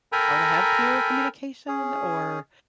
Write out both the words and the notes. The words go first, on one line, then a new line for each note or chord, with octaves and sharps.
how to have clearer communication? Or,
A4 A#4 G5 G#5 A#5 B5
C#4 G#4